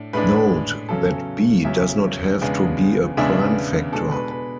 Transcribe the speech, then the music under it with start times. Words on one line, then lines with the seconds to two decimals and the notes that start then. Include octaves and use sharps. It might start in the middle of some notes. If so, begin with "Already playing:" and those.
Note that B does not have to be a prime factor.
Already playing: A2 D4
0.13 A2 G#3 D4 B4
0.89 E2 C#3 F#3 C#4 A4
1.64 E2 C#3 F#3 C#4 E5
2.41 E2 C#3 G#3 B3 D4
3.17 E2 C#3 G#3 B3 D4 E5
3.92 B2 G#3 D4 A4
4.12 B4
4.31 B4